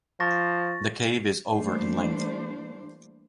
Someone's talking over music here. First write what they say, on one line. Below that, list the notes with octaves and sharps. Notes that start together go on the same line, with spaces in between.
The cave is over in length.
F3 C#6 A6 A#6
E3 G3 A3 A#3 D4 C5